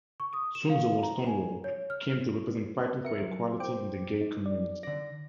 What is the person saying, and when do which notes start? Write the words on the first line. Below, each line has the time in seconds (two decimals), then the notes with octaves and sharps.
Soon the word "Stonewall" came to represent fighting for equality in the gay community.
0.20 C#6
0.33 D#6
0.55 E7
0.70 F5
1.03 A#5
1.26 G#5
1.64 C#5
1.90 F6
3.05 A#4 E5 C#7
3.21 F#3
3.60 C5 G5 D6
4.21 D#4
4.46 D5
4.83 D3 D5 A#6